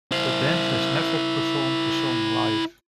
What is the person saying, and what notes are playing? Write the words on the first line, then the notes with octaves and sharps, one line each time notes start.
The band has never performed the song live.
E4 C5